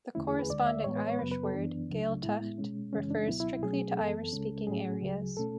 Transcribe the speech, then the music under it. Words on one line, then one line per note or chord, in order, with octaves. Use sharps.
The corresponding Irish word "Gaeltacht" refers strictly to Irish-speaking areas.
E2 D3 A3 C#4 E4
G#4
B4
D2 D3 G#3 D5
E5
A2 E3 G#3 B3 C#5
B4
C#5
F#2 C#3 F#3 B3 B4
B4
A4
F#2 E3 B3 D4
C#2 C#3 F#3 A3
A2 G#3 B3 E4
B2 G#3 C#4
F#2 C#3 E3 G#3 C#4
D4
C#2 B2 F#3 B3 E4
E4
B2 F#3 A3 C#4 G#4
F#2 E3 B3 A4
C#2 C#3 G#3 C#4
A2 F#3 A3 C#4 G#4
D2 C#3 F#3
B2 A3 C#4 A4